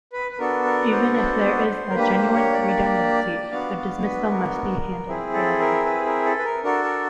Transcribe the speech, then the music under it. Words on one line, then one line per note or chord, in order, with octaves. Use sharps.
Even if there is a genuine redundancy, the dismissal must be handled fairly.
B4
B4
B3 D4 F#4 A4 A#4
A#4
C5
C5
A#4
A#3 D4 G4 B4
C5
C#5
D5
C#5
D5
B3 D4 F#4 F5
F5
B4
A#4
C4 E4 G#4
A4
A#4
B4
A#4
A4
B4
A#4
D4 F#4 A4 A#4
A#4